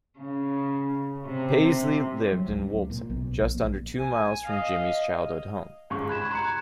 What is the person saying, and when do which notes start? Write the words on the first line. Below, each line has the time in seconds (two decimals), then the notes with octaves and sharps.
Paisley lived in Woolton, just under two miles from Jimmy's childhood home.
0.18 C#3
1.27 C3
2.32 F#3
2.48 C#2
2.90 A#2
3.10 B1
3.40 A#1
3.55 A#1
3.99 G#5
4.45 D#5 F5
5.90 C#2 G#2 C#6
6.09 B5 F#6 G#6 E7
6.31 A#5 C6 F#6 G#6 C#7 E7